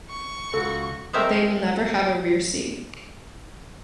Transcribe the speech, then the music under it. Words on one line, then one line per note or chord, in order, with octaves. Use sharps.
They will never have a rear seat.
C#6
C#2 F#4 A4
G#3 A3 C4 A#4 E5